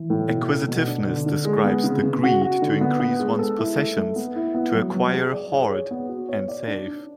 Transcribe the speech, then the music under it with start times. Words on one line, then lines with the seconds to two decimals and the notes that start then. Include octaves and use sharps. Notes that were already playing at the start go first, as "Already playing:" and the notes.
Acquisitiveness describes the greed to increase one's possessions, to acquire, hoard and save.
Already playing: E3
0.10 A2
0.29 B2
0.49 A4
0.68 B2
0.88 D4
1.07 D3
1.26 D3
1.45 G#3
1.64 B3
1.84 C#3
2.03 C#3
2.23 F#4
2.42 F#4
2.62 D3
2.81 B3
3.00 B3
3.19 G#3
3.39 A4
3.58 E4
3.78 A3
3.97 A3
4.16 B3
4.36 E4
4.55 B3
4.75 F#3
4.94 F#3
5.14 G#4
5.32 D5
5.52 G#4
5.71 C#5
5.91 B3
6.09 F#4
6.29 C#5
6.48 D5
6.67 D4
6.87 D4